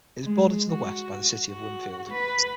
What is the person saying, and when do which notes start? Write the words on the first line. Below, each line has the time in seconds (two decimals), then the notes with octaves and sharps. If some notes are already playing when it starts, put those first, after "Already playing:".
It is bordered to the west by the city of Winfield.
0.23 G#3
0.71 F#4
1.50 F#4
2.10 B4